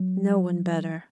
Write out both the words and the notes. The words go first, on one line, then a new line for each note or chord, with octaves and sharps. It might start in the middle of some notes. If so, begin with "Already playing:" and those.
No one better.
Already playing: F#3